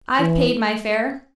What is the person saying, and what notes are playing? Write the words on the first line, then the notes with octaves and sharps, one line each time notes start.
I've paid my fare.
E3